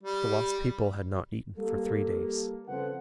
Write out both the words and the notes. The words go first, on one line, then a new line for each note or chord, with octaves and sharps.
The lost people had not eaten for three days.
G3
G3 A#3 A4
F2 C#3 F3 F4 B4 F#5